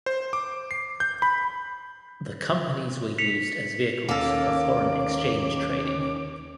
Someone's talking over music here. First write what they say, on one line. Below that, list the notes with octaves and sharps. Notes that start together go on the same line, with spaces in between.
The Companies were used as vehicles for foreign exchange trading.
C5
D6
C7
G6
B5
B6 C#7 F7
D#2 A#3 C#4 A4 D6